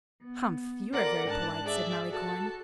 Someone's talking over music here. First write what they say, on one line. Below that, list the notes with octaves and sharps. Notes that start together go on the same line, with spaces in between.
"Humph! you are very polite!" said Malicorne.
B3
F4 A4 A#4 D5 F#5 D6
G#2 D4 A5 F#6
G#4 D5 E5
F#4 A4 A5